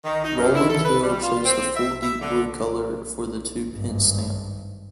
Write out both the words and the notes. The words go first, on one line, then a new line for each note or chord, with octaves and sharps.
Rowland Hill chose the full deep blue colour for the two pence stamp.
D#3
D#4
F#2
E4
A4
B4
G3
F4
C4
E5
E5
D3
G#1 G2